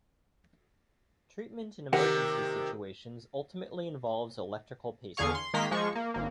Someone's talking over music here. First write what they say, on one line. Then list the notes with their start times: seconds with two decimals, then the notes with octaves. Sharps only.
Treatment in emergency situations ultimately involves electrical pacing.
1.93 C3 D#3 A#3 G4 A#4 F#5
5.17 E2 D3 G#4 F5 C#6
5.35 C6
5.54 D#3 G#3 A#3 A#5 C6 B6
5.71 F3 G#3 C#6
5.95 A#3
6.14 G#1 A#3